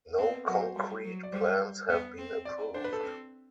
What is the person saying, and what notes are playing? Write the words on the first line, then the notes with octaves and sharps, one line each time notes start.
No concrete plans have been approved.
B3 C4
F#3 F#4
C5
G3
F#3
D5
G3 C5
B3
C4
D5
D4 C5
B4
A4
C4